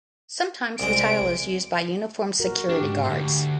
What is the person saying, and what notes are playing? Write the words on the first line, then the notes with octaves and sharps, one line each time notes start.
Sometimes the title is used by uniformed security guards.
C2 G#3 D7
F#4 A#4
D4 G4
G#2
D2 G#2